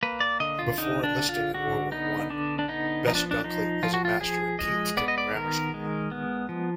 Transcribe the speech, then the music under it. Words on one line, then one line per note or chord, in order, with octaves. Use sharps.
Before enlisting in World War One, Best-Dunkley was a Master at Tienstin Grammar School.
A#3 B4
D5
D3 D#5
F4
D3 D#4
D4
D3
F4
D3 F#4
B3 D#4
D3 D4
D4
B3 D#4
F3 D#4
D4
D4
F3 D#4
F3 F4
F#4
F4
F3 G#4
G#3 D#5
B3 D5
D#5
D5
D#3 A#4
G#3
B3
F3